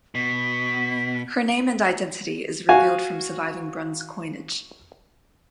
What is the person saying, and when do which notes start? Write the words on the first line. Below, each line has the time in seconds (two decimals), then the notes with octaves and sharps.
Her name and identity is revealed from surviving bronze coinage.
0.15 B2 B6
2.69 F#4 F5 G#5